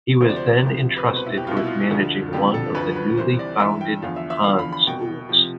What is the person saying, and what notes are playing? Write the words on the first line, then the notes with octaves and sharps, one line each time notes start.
He was then entrusted with managing one of the newly founded Han schools.
D2 C3 F3 C5
D5
C5
D2 C3 F3
B4
C2 B2 C5
B4
E4
G4
C2 B2 F4
E4
F4
D2 D3 F3
F2 D3 F3 G4
A4
D2 D3 F3 B4
B4
C2 C3 E3 C5
D5
G2 E3 E5
G5
E2 D3 F3 F5
E5
E5
E2 D3 F3 F5
B5
B5
C2 B2 G5
C3 F3